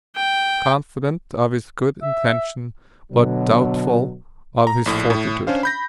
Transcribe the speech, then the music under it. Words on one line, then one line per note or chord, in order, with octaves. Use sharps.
Confident of his good intentions but doubtful of his fortitude.
G5
E5
B2 D3 F#3
A#5
A#1 A2
A2
C#4 D4 C5 F5
B5 G6 A#6